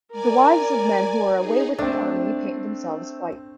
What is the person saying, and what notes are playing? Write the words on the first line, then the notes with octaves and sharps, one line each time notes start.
The wives of men who are away with the army paint themselves white.
A#4 D5 G#5
D#4 G#4
A3 C4 D4